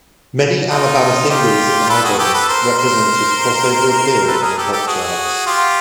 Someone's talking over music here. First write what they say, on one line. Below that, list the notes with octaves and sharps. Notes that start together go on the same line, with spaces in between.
Many Alabama singles and albums represented crossover appeal on the pop charts.
D#4 F4
F4 G4
A4 B4
F#4 G#4
G4 A4
A4 B4
A#4 C5
A#4 C5
A4 B4
G#4 A#4
G4 A4
G4 A4
F#4 G#4
F4 G4